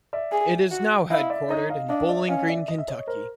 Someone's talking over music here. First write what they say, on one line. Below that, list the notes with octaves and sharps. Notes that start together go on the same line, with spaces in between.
It is now headquartered in Bowling Green, Kentucky.
D5 E5
G#4
F#4
E4 D#5 F5
D5 E5
D#4 C#5 D#5
D#5 F5
D4 D#5 F5
D5 E5
C#4 D#5 F5
F5
D5 E5
D#5
E5
C#5 D#5
A#4 C5